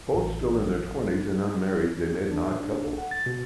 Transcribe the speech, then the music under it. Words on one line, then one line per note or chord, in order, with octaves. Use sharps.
Both still in their twenties, and unmarried, they made an odd couple.
A1
D4
A2
D4
A4
F#5
A6
B2